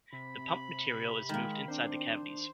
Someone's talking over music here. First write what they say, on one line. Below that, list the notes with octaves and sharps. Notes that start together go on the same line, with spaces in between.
The pumped material is moved inside the cavities.
C3 B5
D#3 G#3 A#3
C4 D4 C5